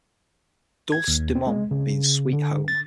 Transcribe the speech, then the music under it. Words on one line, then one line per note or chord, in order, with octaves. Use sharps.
'Dulce Domum' means 'Sweet Home'.
G#6
D#2
C4
G#3
C#3
D3
A6